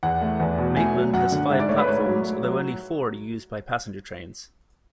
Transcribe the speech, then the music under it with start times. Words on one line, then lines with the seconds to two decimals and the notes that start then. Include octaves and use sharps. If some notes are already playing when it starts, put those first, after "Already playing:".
Maitland has five platforms, although only four are used by passenger trains.
0.03 E2 F#5
0.21 A3
0.40 E2
0.58 B2
0.77 A3 G#5
0.95 F#3
1.13 F#2 F#5
1.32 D3
1.50 G#2 E5
1.60 D5
1.69 A3 C#5
1.78 B4
1.87 G#2 C#5
2.06 F#3
2.24 A3
2.43 F#3